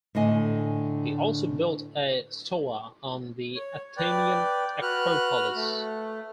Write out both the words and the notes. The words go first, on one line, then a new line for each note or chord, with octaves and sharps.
He also built a stoa on the Athenian acropolis.
A2 D3 D#5 G#5
C#5
B4 D5 G5
F#4 B4 F6 F#6
A3